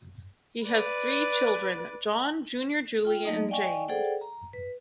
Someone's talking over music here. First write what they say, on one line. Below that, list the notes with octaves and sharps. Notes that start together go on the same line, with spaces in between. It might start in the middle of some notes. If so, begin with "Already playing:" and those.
He has three children, John Junior Julie, and James.
B4 D5
F4 G5
F#3 A3 A#3 D#4 D#5
D5 D#5 F5 G5 G#5 C#6
G#4 A4 C5 D5 F#5 G5
A#5
B4